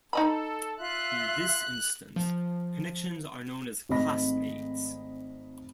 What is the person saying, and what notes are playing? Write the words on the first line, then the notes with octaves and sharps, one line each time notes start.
In this instance, connections are known as "classmates".
D#4 A4 D#5 B5
F4 E5 C6 F#6
F3
G#1 A3 C4 D#5 B5 A#6